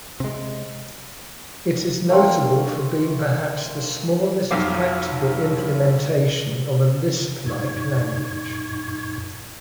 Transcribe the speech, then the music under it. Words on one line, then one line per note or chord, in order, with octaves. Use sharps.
It is notable for being perhaps the smallest practical implementation of a Lisp-like language.
C3 G#3
A3 A#3 C4 F5
B1 F2 F#3 F4 F5 D6
F#2 A#2 D#4 C#6 G#6